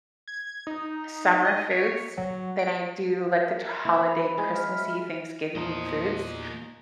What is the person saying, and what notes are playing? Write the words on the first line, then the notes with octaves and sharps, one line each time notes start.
summer foods than I do, like, the t holiday, Christmassy, Thanksgiving foods
G#6
D#4
D#5
C#5
F#3
D7
A#4 E5
C4 E4
B5
G#3 G#4
E5 F6
E2 A#2 F3 A#3 D#4 D#5